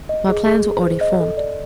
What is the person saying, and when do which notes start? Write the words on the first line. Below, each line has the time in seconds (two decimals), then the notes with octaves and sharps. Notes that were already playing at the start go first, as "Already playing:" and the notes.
My plans were already formed.
0.09 D#5
0.29 G#4
0.46 G#4
0.65 G#4
0.82 C5
1.01 D#5
1.20 A4
1.37 D5